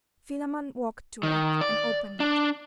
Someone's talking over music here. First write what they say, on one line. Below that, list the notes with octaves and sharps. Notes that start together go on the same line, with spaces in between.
Philammon walked to it, and opened it.
D#3
D5
D4